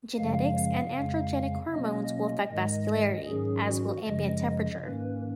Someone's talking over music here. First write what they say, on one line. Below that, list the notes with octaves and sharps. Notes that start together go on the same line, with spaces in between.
Genetics and androgenic hormones will affect vascularity, as will ambient temperature.
F#2 C#3 F3 G#3 F5
F2 C#3 G#3
B2 F#3 A#3 C#4 D#5
G#2 D#3 G#3 D#5
G#2 D#3 F#3 C#4 G#4
F#4
F#2 C#3 F3 G#3 D#5
G#2 D#3 A#3 C#4 B4